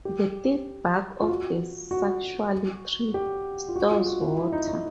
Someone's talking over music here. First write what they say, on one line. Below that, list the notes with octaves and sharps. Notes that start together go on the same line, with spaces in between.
The thick bark of the saxaul tree stores water.
G4
F4
F#4
F#4
G4
F4
F#4
F4
F#4
E4
E4
D#4
D#4